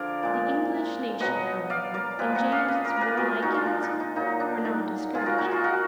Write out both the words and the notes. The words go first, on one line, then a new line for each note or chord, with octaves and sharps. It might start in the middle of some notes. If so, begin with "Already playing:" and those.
The English nation, however, and James's warlike council, were not discouraged.
Already playing: D3 F3 G#4 A#4 D5
A#2 G#3
B2 F#3 D#5 F#5
D5 F5
A#4 D5
A#2 F3 G#3 G#4 B4
D#5 F#5
D5 F5
B4 D#5
A#4 D5
G#4 A#4 B4
A#2 G#3 F#4 A#4
D#4 F#4
D4 F4
D4
D#4
D#4
A#2 F#3 D#4
D4
D#4
A#2 G#3 F4 G#4
F#4 A#4
D#4 F#4
F4 G#4
F#4 A#4